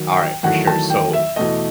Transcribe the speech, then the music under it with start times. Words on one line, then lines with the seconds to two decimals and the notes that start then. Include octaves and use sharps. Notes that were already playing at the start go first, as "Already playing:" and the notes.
All right, for sure, so,
Already playing: D#3 F#3
0.13 G5
0.43 E2 D#3 F#3 A3 F#5
0.67 A5
0.90 G5
1.13 E5
1.36 E2 B2 A3 D#5